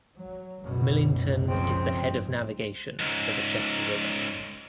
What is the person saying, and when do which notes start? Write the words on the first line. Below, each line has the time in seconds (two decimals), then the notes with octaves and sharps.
Millington is the head of navigation for the Chester River.
0.17 F#3
0.64 F#1 C#2 F#2 B2
1.47 C#3 F3 C4
2.04 G#2
3.00 C#2 G#2